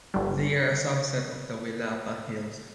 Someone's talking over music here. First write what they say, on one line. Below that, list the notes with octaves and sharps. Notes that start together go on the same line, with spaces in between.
They are a subset of the Willapa Hills.
G1 G3